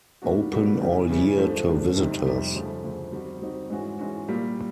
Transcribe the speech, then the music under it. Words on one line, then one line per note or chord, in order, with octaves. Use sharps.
Open all year to visitors.
A#2 G3 B3 D4 F#4
A#2 G3 B3 D4 F#4
C#3 E3 G3
C#3 E3 G3
G#2 F3 A3 D4
G#2 F3 A3 D4
F2 C3 D#3 G3
F2 C3 D#3 G3
D2 C#3 F3 A3
D2 C#3 F3 A3
D#3 G3 C4 D#4 F#4
D#3 G3 C4 D#4 F#4
G#2 E3 G#3 C#4 F#4
G#2 E3 G#3 C#4 F#4
A#2 G3 A#3